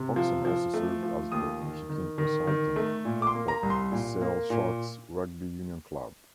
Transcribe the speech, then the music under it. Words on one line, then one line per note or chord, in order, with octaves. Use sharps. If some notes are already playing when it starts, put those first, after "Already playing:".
Hodgson also served as the kicking consultant for Sale Sharks Rugby Union Club.
Already playing: C3
F3
F3
A3
F3
D#2 D#6
D#3
D#3
D#3
D#3
A3
A#2
D6
C6
A#3
A#5
C2
C6
A#2
A#3
A#2